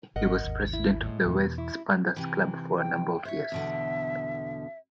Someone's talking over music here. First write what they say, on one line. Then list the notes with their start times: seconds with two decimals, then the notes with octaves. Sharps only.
He was President of the Wests Panthers club for a number of years.
0.16 G#1 A#4 D#5 F#5
0.44 G#1 D#2
0.73 E4
1.02 A2 G#3
1.26 E2 B2
1.58 E4
2.16 C3 E3
2.79 G5
3.25 C5 C#5 E5
3.52 E2 B2 D3